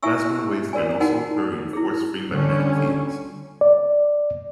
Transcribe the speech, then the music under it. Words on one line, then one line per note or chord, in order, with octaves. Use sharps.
Plasma waves can also occur in force-free magnetic fields.
E4 E5 G#5 C#6 E6
G4
F#4 A#4 D5 G#5
D#4 F#4 A#4 F#5 G#5
E4 G#4
D3 G3 C#4
D5